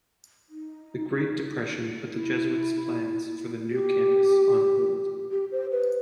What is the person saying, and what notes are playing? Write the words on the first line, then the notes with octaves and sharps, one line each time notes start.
The Great Depression put the Jesuits plans for the new campus on hold.
D#4
E4
G4
G4
C5
B4